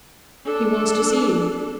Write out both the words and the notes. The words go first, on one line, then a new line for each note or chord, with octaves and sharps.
She wants to see you.
D4 A4